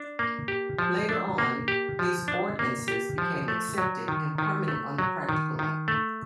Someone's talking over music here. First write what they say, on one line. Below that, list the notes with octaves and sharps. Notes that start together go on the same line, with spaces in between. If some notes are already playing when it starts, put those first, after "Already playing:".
Later on, these ordinances became accepted and permanent on the practical level.
Already playing: D4
A#3
G4
F3
D4
A#3
G4
F3
D4
A#3
G4
F3
A3
F#3
D#3
D#3
A3
F#3
D#3
D#3
A3